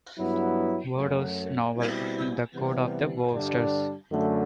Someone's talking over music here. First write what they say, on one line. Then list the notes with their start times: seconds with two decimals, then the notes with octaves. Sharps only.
Wodehouse's novel "The Code of the Woosters".
0.18 G2 F#3 B3 E4
0.96 F#2 F#3 A3
1.74 B2 G3 C4 E4
2.54 C3 E3 G3 B3
3.31 G2 D3 G3 D4
4.10 F#2 D3 A3